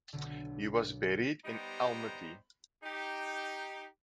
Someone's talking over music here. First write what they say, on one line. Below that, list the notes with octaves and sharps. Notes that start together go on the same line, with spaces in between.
He was buried in Almaty.
B1 D3
G3 B3 D#4 G4 C5 A#5
D#4 G4